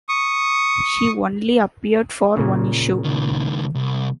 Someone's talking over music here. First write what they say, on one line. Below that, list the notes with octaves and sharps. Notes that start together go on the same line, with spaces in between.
She only appeared for one issue.
C#6 D#6
A#2 C#3
C#2 D#3
C2